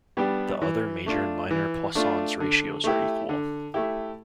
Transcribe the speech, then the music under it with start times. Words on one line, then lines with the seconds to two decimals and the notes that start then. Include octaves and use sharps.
The other major and minor Poisson's ratios are equal.
0.17 G3 B3 D4 G4
0.62 E3
1.06 A3 D4 F4
1.51 E3
1.95 A3 D4 F4
2.40 D3
2.84 A3 E4 G4
3.29 D3
3.74 A3 E4 G4